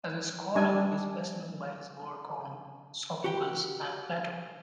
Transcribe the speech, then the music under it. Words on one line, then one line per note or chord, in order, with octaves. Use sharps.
As a scholar he is best known by his work on Sophocles and Plato.
G3 D4 G#5
F#4 G4 G5